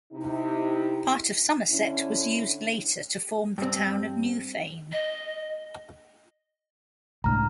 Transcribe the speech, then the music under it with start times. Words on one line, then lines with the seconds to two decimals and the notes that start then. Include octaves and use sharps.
Part of Somerset was used later to form the Town of Newfane.
0.13 C3 D#4 E4
1.70 D3 C#4 E4
3.58 G2 C4
4.92 D#5
7.24 C#2 A2 D4 A#5 F6